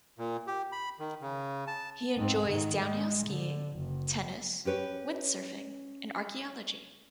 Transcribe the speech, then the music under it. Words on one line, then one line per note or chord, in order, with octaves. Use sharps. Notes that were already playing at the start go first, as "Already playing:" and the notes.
He enjoys downhill skiing, tennis, wind-surfing, and archeology.
A#2
G4
B5
D#3
C#3
A5
G#2 C4
G#2 D#3
G#3
D3
F#1
C#4 G4 B4 C#5